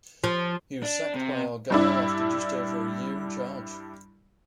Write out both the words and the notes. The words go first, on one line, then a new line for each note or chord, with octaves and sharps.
He was sacked by Argyle after just over a year in charge.
F3
D4
C3
G2 D4 E4